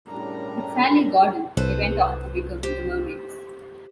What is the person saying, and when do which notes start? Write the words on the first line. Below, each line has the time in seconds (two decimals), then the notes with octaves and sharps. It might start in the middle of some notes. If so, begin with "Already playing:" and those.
With Sally Gordon, they went on to become The Murmaids.
0.08 A2 C#3 G3 D4 A#4 A#5
1.57 C2 A4 B4 C5
2.63 G4 C5